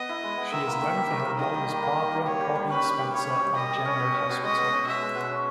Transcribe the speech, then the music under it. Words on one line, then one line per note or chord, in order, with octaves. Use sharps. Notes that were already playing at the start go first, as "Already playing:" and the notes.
She is known for her role as Barbara "Bobbie" Spencer on "General Hospital".
Already playing: B3 D#5
E4
G#3
B3
D#3 E5
A#3
D#3
G3
D#3
A#3
D#3 D#5
G3
D#3
A#3
D#3
G3
G3 C#5
G4
G3
C#4 B4
G3
G4
G3 C#5
C#4
G3
G4 D#5
G3
C#4
B2
C#4
B2
G#3 D#5
B2
C#4
B2 E5
G#3
B2
C#4